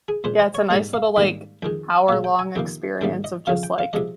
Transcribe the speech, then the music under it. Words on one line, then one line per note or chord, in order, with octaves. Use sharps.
Yeah, it's a nice little, like, hour-long experience of just, like,
G#4
A#2 G#3 C5
C5
C#5
G#2 G3 A#3 D#5
F5
G#2 D#3 G3 A#3 G5
F2 D#3 G#3 G5
A#2 G#3 F5
G5
G#5
F2 C3 D#3 A#3 G5
G#2 D#3 G3 A#3 G5
D#5
F2 C#3 F3 F5
G5
F5
C3 F3 G#3 D#5